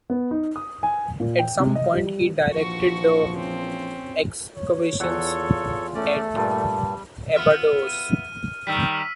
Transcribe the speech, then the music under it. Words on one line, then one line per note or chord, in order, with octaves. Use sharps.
At some point he directed the excavations at Abydos.
B3
D#4
D#6
G#5
A#2
G5
C3
D#5
G3
A#1 E3 F3 F#4 C#6
C4 C#4
C#5
E2 F4 A4 C#5 F#5
A3 C#4 D5
G2 A#2 G3 A5
B3 F4 E5 F6
D#7
D#3 G3 E6 B6